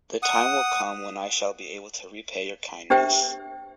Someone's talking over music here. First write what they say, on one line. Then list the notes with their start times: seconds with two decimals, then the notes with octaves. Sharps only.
The time will come when I shall be able to repay your kindness.
0.23 F#5 D#6
2.90 D4 G4 C5 E5 G5